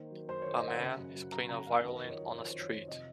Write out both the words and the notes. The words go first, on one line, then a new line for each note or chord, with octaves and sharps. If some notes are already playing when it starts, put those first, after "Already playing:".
A man is playing a violin on a street.
Already playing: D#3 A#3 C5
F#3
F#2 C5
D#3 C#5
D#5
A#3 F#5
C#3
F#2
F#3
F#2 A#5
C#3 A#5
F#2 F5
D#3 D#5
F2
C#5
F#3
F2 C#5
C5
D#3
C#5
F2
C3 D#5